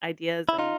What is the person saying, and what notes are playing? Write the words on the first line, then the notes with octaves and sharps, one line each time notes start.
ideas and
E4
D#4 F4